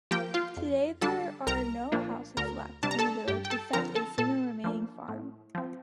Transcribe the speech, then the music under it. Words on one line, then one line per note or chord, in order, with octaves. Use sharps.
Today there are no houses left in the village except a single remaining farm.
F3 A#3 G4 G5
F4 F5
F2
D3 G3 D4 A4 A5
C2 A#4 A#5
A#2 F3 A#3 D4
D2 A#4 A#5
C3 G3 D4 A5
A#5
A4 A5
G2 G4 G5
G5
A4 A5
D3 F3 C4 A#4 A#5
A4 A5
A#2 A4 A5
F3 A#3 D4
A2
F3 C4